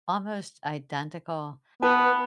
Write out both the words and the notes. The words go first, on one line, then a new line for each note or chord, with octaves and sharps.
almost identical
B3 B4 A5